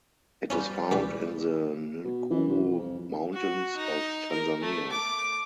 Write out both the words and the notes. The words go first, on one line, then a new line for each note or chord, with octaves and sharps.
It is found in the Nguru Mountains of Tanzania.
G3 C#4 F4 B4
C#2 E3 B4
B2
E3
C2
F2
F#4
D#4
A#4
A3
D6